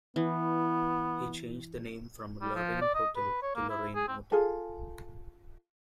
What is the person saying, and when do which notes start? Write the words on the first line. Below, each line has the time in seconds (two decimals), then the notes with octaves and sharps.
He changed the name from Lorraine Hotel to Lorraine Motel.
0.16 E3 B3
2.42 G3
2.56 F3
2.81 D5
2.94 D#5
3.16 B4
3.42 C#5
3.56 A#3
3.69 E4
3.95 G#4
4.08 C4
4.32 F4 G#4 A4